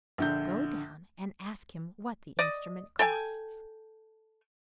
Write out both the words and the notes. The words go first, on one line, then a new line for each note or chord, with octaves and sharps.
Go down and ask him what the instrument costs.'
A#1 D3 G6
D5 D#5
A4 G5 G#5